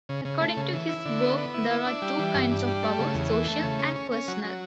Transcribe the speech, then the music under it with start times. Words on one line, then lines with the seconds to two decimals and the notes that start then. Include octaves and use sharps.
According to his work there are two kinds of power, "social" and "personal".
0.09 C#3
0.25 C#3
0.41 A3
0.57 C#3
0.73 E3
0.89 E4
1.06 D3
1.21 B3
1.38 B3
1.54 E4
1.70 E4
1.86 D4
2.02 G3
2.19 E3
2.35 G2
2.51 D4
2.67 G3
2.83 A3
2.99 C#3
3.14 E2
3.31 E3
3.48 A3
3.63 C#3
3.79 C#4
3.96 C#4
4.11 C#4
4.28 F#3
4.44 F#3